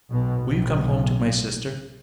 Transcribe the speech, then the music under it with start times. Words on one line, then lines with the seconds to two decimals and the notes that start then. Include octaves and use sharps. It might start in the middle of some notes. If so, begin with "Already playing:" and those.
Will you come home to my sister?
0.11 B1 B2
0.42 B1 A2